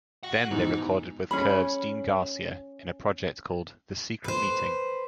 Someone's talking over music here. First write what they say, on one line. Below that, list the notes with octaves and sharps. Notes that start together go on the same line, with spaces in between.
Then they recorded with Curve's Dean Garcia in a project called "The Secret Meeting".
F#4 F#5
G#2 B2 E3 D#4
C#4 G#4 B5
B4 C5